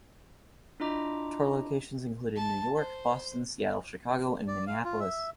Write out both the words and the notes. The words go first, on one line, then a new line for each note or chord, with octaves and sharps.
Tour locations included New York, Boston, Seattle, Chicago, and Minneapolis.
D4 E4 F4 D#5 A#5 D6
A5
C5
D5
F5
F4
E5